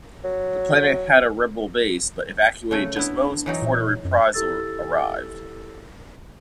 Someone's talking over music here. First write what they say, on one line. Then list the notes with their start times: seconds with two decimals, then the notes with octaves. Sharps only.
The planet had a rebel base, but evacuated just moments before the "Reprisal" arrived.
0.24 F#3
2.71 C#3 A3
2.96 B3 D4 E4
3.46 E3 F#3 D#4
3.62 A#2
4.05 F#2
4.34 E4 G4 A4 E6 A6